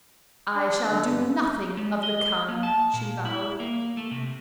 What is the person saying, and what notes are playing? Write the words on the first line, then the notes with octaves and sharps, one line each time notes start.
"I shall do nothing of the kind," she vowed.
D4
D3
G2
G#3
D#5
A#3
A5
A#2
E4
A#3
A3
C3